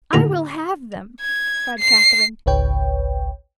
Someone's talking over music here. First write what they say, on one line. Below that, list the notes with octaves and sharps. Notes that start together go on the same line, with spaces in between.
"I will have them," cried Katharine.
D#2 A2 D3 E3 A#5
G#6
C7
G#1 C#2 B4 C#5 G5